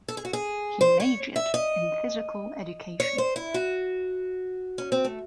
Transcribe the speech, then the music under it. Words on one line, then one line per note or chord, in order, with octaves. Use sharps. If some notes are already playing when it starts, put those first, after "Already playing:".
He majored in physical education.
A4
G#4
F#4
G#4
C5
C#5
E5
D#5
C#5
C5
E4
F#4
C#4
C4
A3